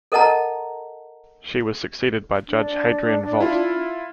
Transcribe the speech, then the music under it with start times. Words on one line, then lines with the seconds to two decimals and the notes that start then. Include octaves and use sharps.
She was succeeded by Judge Hadrian Volt.
0.12 A4 A#4 D#5 F#5 A5 A#5
2.49 D4
3.40 E4 F4